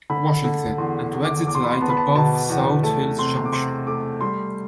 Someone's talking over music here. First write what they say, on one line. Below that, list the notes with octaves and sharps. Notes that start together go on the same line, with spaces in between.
Washington, and to exit right above South Hills Junction.
D3 B5
D3
E2 C6
E2
D6
E2 D6
C6
B5
C6
B3 A5
B5
A5
B2 A5
E2
A3 A5
C3 C6
D6
C3 C6
A3 D6
G3 C6